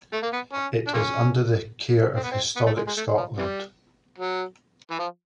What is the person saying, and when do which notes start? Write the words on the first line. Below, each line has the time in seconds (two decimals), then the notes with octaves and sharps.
It is under the care of Historic Scotland.
0.13 A3
0.23 A#3
0.33 B3
0.53 C#4
0.87 D4
0.94 G#3 A#3 C#4
2.16 C4
2.24 B3
2.32 C4
2.56 B3
2.66 A3
2.76 G#3
2.87 G#3
2.97 A3
3.17 F3
3.37 C3 E3 G3
4.18 F#3
4.91 E3
4.99 F3